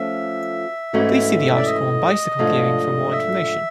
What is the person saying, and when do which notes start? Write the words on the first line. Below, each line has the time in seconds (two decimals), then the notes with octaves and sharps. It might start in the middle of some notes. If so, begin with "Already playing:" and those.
Please see the article on bicycle gearing for more information.
Already playing: F3 A3 C#4 E5
0.93 G#2 E3 A3 C#4 F#4
1.55 D5
1.66 D#5
2.39 G#2 F3 A3 D4 F4
3.12 E5